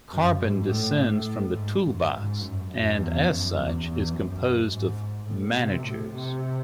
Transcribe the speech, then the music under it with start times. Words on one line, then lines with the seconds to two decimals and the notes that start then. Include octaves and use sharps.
Carbon descends from the Toolbox, and as such, is composed of "Managers".
0.11 F#2
0.40 G#2
0.69 A2
0.97 A2
1.55 G#2
1.83 F#2
2.12 G#2
2.41 F#2
2.69 F#2
2.97 E2
3.27 F#2
3.55 E2
3.84 E2
4.12 F#2
4.69 G#2
5.26 A2
5.54 C3
5.84 A2
6.13 C3